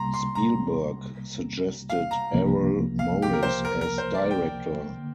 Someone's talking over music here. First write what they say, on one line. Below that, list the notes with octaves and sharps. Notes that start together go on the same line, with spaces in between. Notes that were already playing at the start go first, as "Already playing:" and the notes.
Spielberg suggested Errol Morris as director.
Already playing: C2 C3 G3 A#3 A#5 C6
C6
A#5
F5
A#5
C2 C3 F3 A#3
F5
G4
A#4
C5
A#4
A#4
C5
D5
G5
D3 A#3